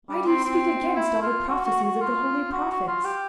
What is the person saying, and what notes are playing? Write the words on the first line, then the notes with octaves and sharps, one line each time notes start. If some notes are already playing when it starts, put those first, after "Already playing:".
Why do ye speak against all the prophecies of the holy prophets?
G3
C4
C4
E4
F4
F#4
F#4
F#4
F4
F#4
F#4
F4
G4